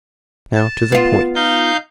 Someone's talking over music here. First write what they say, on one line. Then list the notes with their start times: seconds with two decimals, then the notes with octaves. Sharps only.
Now, to the point.
0.56 A5
0.92 B3 F4
1.35 D#4 F5 G6